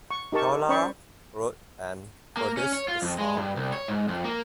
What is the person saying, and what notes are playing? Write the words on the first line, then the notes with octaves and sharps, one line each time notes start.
Dolla wrote and produced the song.
C#6
D#4 G4 A#4 A5 C#6
C#4 C5 D5 B5 C#6
A#3
C#4
C#5
F4
F2
G#3
G2
C2
C#5
G#2
F2
A#3